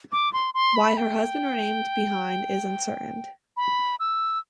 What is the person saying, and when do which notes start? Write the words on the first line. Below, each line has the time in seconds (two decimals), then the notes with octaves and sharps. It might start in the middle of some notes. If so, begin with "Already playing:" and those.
Why her husband remained behind is uncertain.
0.12 D6
0.33 C6
0.54 C6
0.76 B5
0.97 G5
3.57 B5
4.00 E6